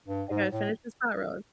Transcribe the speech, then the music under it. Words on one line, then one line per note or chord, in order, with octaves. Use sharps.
“I gotta finish this pot roast.”
G2
G#2
A2